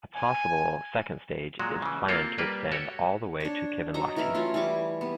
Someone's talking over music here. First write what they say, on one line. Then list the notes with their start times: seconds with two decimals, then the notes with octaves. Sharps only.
A possible second stage is planned to extend all the way to Kivenlahti.
0.15 G#5
1.59 A#2 F#3 G#3 F#4
1.82 C#3 E3
2.08 A#3 C4 F4 A4 A#4
2.38 G3 A#3 G4 B4 D5
2.72 F#4 G4 A4 C#5
3.40 D4 C#5
3.94 F#3 A4 D#5 A#5
4.16 E3 C#4 A#4 E5
4.34 F#3 A3 C#4 F4
4.54 E3 G3 C#6 D6
5.01 G3 B3